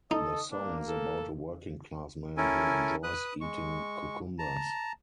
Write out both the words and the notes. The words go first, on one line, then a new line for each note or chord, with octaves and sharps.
The song is about a working-class man who enjoys eating cucumbers.
D#4 A4 D#5
A#3 D4
A4
C#4 E4 A4 A#4 G#5
B4 D#6 F#6
G#3 C#6
A5 A#5